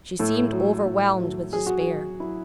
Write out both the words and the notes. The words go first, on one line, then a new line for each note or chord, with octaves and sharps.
She seemed overwhelmed with despair.
A2 A4
F#3
A2
F#3
F#3 G#4
F#4
G#4
F#3
F#3 E4